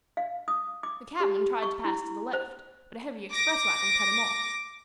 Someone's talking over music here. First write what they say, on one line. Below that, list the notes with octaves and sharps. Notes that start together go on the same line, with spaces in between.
The cabman tried to pass to the left, but a heavy express wagon cut him off.
F5
D#6
D6
G4
C#6
E4
C5
D6 A#6